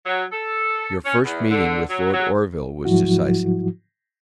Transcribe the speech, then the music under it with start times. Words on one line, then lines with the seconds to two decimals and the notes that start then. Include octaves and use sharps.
Your first meeting with Lord Orville was decisive.
0.06 F#3
0.32 A4
1.05 C#4
1.24 E2
1.49 D3
1.90 F#3
2.14 F#3
2.85 G#2 F3 F#3 E4 F#4